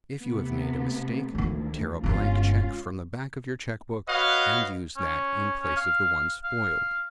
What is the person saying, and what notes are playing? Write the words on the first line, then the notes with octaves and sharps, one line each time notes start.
If you have made a mistake, tear a blank check from the back of your check book and use that in place of the one spoiled.
C3 A3 B3
D2 D#3 F3 G#3
G1 G2 G#3 C#4 F4
F#4 B4 C#5 D#5 F5
C#4
C#4
F5
F5